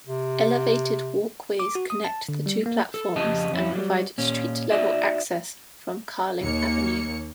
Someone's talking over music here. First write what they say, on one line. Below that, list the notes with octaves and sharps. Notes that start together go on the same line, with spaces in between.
Elevated walkways connect the two platforms and provide street level access from Carling Avenue.
C3
D6
F#4
D#6
A5
D3
G3
A#3
A4
F2 C#3 G4 D#5 A5
F2 C#4 E4
F#3 G3
A#2 C#4
D#4 F#4 D5 E5
D#2 A#3 C#5 C#7